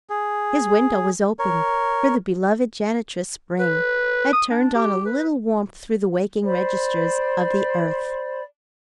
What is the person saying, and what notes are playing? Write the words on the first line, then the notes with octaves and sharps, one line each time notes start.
His window was open, for the beloved janitress Spring had turned on a little warmth through the waking registers of the earth.
G#4
A#4 C#5
B4
D#6
D4
G4
B4
C5 D5 B5